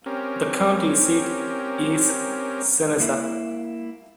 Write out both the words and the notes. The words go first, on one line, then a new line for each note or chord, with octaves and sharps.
The county seat is Seneca.
C4 C#4 G4 A#4
A#3 E4